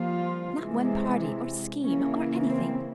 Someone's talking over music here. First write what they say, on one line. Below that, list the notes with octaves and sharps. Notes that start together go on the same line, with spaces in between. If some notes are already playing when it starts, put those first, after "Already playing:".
Not one party, or scheme, or anything.
Already playing: F3 G3 A#3 F4
C3 E3 G#3
C#3 E3 A#3 C#4
C4